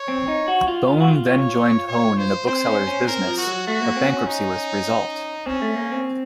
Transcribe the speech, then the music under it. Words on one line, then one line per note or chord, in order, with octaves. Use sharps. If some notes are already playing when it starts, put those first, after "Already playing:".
Bone then joined Hone in a bookseller's business; but bankruptcy was the result.
Already playing: C#5
C4
D#4
F#4
F4
F4
F#4
F4
C#5
C#5
C5
C4 C5
C#4
C#4
C4 A#4
F3
F#4
F#3
A3 F#4
A#3
C4
C#4
D#4
C4 C#4
A3
A#3
C4